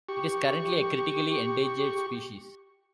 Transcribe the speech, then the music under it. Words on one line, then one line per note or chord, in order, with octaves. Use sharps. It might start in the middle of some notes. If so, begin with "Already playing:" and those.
It is currently a critically endangered species.
G4 C#6